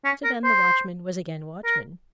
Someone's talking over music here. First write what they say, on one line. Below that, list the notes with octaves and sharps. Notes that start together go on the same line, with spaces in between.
So then the watchman was again watchman.
C#4
A#4
C5
A#4